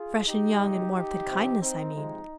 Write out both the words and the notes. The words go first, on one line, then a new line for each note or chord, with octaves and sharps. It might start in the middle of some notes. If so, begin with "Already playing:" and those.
'Fresh and young in warmth and kindness, I mean.
Already playing: F4 G#4
D#4 G4
C3 F3 G#3
D#4 G4
C3 F3 C4
C4 D#4
C3 F3 G#3 C4